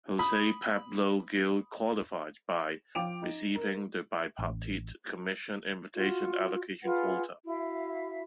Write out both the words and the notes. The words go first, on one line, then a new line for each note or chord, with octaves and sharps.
Jose Pablo Gil qualified by receiving the bipartite commission invitation allocation quota.
B5 D#6
F3 F4 G5 D6 D7 F7
D#4
A#4
A1
F4 F#4
F4 G#4 B4 F#5
E4 F#4 E5 F5